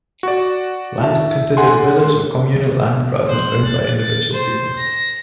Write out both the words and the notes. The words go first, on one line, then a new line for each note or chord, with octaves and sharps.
Land is considered village or communal land rather than owned by individual people.
F#4 D5
E4 E5 A5
D3 F#5 G#5 C6
C5 F#6
F#6 A6
A6
C5
A#6